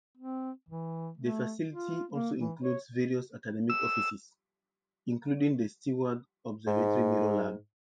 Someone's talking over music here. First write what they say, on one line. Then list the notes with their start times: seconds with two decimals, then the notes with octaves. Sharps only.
The facility also includes various academic offices, including the Steward Observatory Mirror Lab.
0.17 C4
0.69 E3
1.17 A3
1.71 F4
2.13 A#3
2.40 E3
2.62 C#5
3.70 E6
6.67 G#2